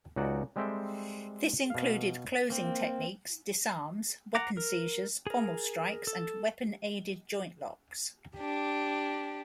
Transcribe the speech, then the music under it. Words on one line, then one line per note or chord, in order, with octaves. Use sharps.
This included closing techniques, disarms, weapon-seizures, pommel-strikes, and weapon-aided joint-locks.
C#2 F#3 D#4 F#4 D5 F#5
G3 G#3 C4 A4 E5 G5
B2 F5
A#3 C4
F#5 A#5 D6
A#4
G#4 A#4
A4
D4 G4